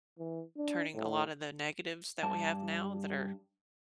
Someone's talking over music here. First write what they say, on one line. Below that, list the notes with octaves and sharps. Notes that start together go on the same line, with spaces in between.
turning a lotta the negatives that we have now that are
E3
D4
A2
G2 A5